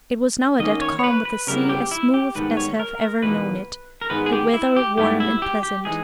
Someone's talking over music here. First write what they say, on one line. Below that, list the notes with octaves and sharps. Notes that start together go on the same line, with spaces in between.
It was now a dead calm, with the sea as smooth as have ever known it,--the weather warm and pleasant.
D#3 A#3 C#4 D#5
C#5
C#5
B4
B4
C#3 G3 B3 E4 A#4
G4
E4
G4
G#2 D#3 G3 B3 B4
C#5
A#4
A#4
E2 B2 A#3 D#4 B4
A#4
G#2 D#3 G#3 B3 B4
G#4
G4
E4
G4
G#2 G3 B3 E4 G4
E4
G4
G4
E3 G#3 D#4 G#4